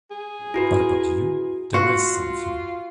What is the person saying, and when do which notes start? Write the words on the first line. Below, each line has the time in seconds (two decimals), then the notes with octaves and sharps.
But about you — there is something.
0.11 G#4
0.54 E4 F#4 B4
1.74 F4 F#4 C6